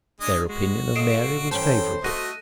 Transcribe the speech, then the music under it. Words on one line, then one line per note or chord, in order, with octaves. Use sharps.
Their opinion of Mary was favourable.
G#3 D4 D#5 D#6
G#3 F#4
A#2 A4 D#5 C7 D7 E7
E3 C#4 A4 C5 G5
A3 F#4 D#5 F#6 A#6 D#7